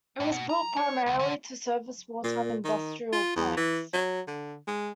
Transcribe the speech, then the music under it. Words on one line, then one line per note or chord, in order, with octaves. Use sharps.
It was built primarily to service wartime industrial plants.
A2
B2
A#5
C#5
C#2
D3
A#2
D#3
F4
E2
E3
F#3
D3
G#3